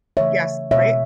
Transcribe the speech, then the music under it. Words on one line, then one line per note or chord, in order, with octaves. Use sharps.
Yes, right?
C#3 E3 A3 C#5 E5
B2 G#3 C#5 E5